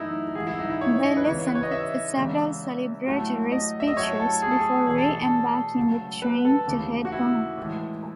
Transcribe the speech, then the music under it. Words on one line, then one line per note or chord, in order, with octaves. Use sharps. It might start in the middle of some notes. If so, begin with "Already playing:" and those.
They listened to several celebratory speeches, before re-embarking the train to head home.
Already playing: F#2 E3 A3 D#4 E4
G#2 E3 G#3 G#4
E4
D#4
E4
C#5
D#5
B4
E2 C#3 E3 C#5
B4
C#5
D#5
E5
E2 C#3 G#3
A2 F#3 A3
D#5
E5
D#5
A2 F#3 A3 C#5
A4
G#4
A4
G#4
E2 B2 A3 G#4
A4
A4
A4
C#2 C#3 F#3 A3
B4
A4
D#2 C#3 E3 A3
F#4
E4
A2 E3 G#3